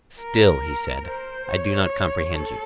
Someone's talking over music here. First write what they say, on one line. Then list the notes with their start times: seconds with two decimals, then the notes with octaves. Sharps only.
Still, he said, I do not comprehend you.
0.21 A#4
1.06 C5
1.49 C#5
2.35 A4